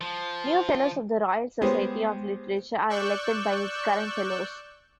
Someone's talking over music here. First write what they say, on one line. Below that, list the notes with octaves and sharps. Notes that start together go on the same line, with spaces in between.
New fellows of the Royal Society of Literature are elected by its current fellows.
F3
G#3 B3 C#4 G4 G#4 C5
D5 C#6 E6 F#6 G6